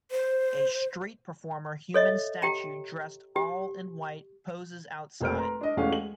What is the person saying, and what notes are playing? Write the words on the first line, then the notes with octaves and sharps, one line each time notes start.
A street performer human statue dressed all in white poses outside.
C5
A4 C#5 D#5 E5
G4 G5 A#5
G4
F1 A#3 C5 F6 D7
B4 A#5 C6
D4 D#5
E2 G#3 A3 C#4 F5
G#3 F#7